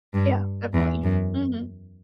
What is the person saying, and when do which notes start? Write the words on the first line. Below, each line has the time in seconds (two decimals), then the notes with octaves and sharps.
Yeah. Definitely. Mhm.
0.14 G2
0.74 E2
1.04 F#2